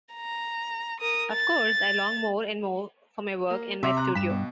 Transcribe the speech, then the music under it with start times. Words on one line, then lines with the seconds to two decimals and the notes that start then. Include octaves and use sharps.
Of course, I long more and more for my work and my studio.
0.14 A#5
1.01 A#4 D#6
1.32 A6
3.50 A#3
3.83 C3 E5
3.97 A#5 F#6
4.15 G2 B6 E7
4.30 B2